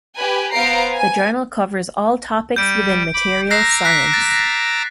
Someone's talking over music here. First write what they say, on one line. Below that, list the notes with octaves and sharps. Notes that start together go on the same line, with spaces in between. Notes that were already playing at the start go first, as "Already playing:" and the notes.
The journal covers all topics within materials science.
G4 B4 G#5
B3 C5 F5 A#5 C7 D7
G#5
G3 G6 D7
B5 D6
A#5 D6 E6 F#6 A#6 C7
F#6 B6
A6